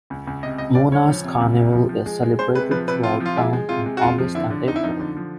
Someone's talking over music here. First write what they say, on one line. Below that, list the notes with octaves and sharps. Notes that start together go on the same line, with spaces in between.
Muna's Carnaval is celebrated throughout town in August and April.
C#2
C#2
C3 D#5
C#2 D#5
C#2 D5
C#2 C#5
F3
C3
C#2
C3
F3
F3
G#3
G#3
G#3 C5
C3 B4
F3 B4
C3 B4
C3 F4
F3
F4
G#3 E4
G#3
C3 F4
G#3
F#4
F2 F4
F3
D3 E4
D3
F2 D#4
E4
F3 D#4
D3
F3